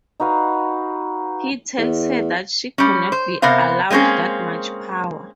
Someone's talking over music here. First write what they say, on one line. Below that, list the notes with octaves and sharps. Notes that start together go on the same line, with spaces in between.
He tells her that she cannot be allowed that much power.
D#4 F#4 B4 F5
E2
G3 C#4
C5
C3 B3 A#4 C5 F5
G#3 A#3 C4 C#4 G#4